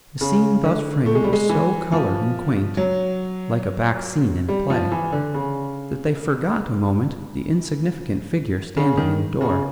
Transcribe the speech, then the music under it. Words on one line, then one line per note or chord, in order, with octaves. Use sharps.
The scene thus framed was so coloured and quaint, like a back scene in a play, that they forgot a moment the insignificant figure standing in the door.
C#3
D3
A3
G#3
G3
G#3
E3
F3
F#3
G3
F3
E3
D3
C#3
C#3
D#3
C#3